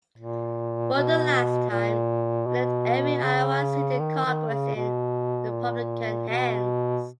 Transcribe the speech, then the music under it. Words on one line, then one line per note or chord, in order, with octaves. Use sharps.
For the last time, it left every Iowa seat in Congress in Republican hands.
A#2
B2
A#2
B2
C#3
D#3
D#3
C#3
B2
A#2
B2